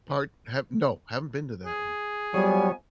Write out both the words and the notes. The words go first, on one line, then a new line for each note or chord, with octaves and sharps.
Part have No, haven’t been to that one.
G#4
F2 F#3 G3 B3 C#5 G#5